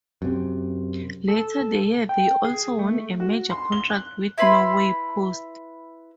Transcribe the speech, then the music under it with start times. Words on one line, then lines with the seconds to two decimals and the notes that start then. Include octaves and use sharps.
Later the year they also won a major contract with Norway Post.
0.22 F#2 C3
1.28 A4
2.09 G5
2.45 G#4
2.79 A3
3.20 F#4
3.50 C6
3.72 G7
3.90 F#6
4.38 E4 B4 B5 C6